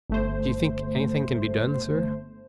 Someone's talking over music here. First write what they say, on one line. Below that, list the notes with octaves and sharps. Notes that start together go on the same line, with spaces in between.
"Do you think any thing can be done, sir?"
G1 A3 C5